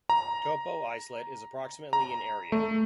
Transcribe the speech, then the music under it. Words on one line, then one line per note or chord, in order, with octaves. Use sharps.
Topo Islet is approximately in area.
A#5
A#5
A3